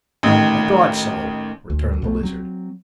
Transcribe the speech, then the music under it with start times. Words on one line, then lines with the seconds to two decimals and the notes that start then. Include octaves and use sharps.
"I thought so," returned the Lizard.
0.23 A1 D#3
1.70 D2
2.02 B1 B2 A3
2.23 F#3 C4